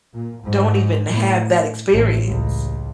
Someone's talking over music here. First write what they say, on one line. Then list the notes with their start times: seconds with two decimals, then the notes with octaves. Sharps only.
don't even have that experience.
0.12 A#2
0.43 G#2
1.08 A2
1.92 A1
2.26 C#2